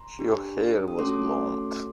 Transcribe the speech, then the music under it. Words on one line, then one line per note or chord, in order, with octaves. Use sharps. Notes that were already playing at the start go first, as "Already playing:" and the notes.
Her hair was blonde.
Already playing: A#5 C6
D4 G4
D#6
A3 C#4 F#4 A4 C6 D6